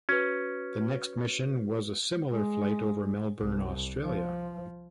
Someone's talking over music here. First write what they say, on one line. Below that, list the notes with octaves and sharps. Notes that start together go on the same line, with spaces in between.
The next mission was a similar flight over Melbourne, Australia.
C#4 F#4 B4
G#3
C2
F3